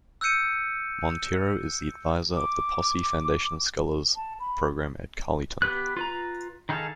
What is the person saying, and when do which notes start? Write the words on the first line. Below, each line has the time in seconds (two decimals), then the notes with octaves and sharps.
Montero is the adviser of the Posse Foundation scholars program at Carleton.
0.21 E6 F#6 G6 C#7 D#7
2.36 D6
4.16 A5
4.40 B5
5.62 B3 G4 B4 F#6
5.97 F4 B4 A#5
6.69 D#3 D#4 G#4 A4 F5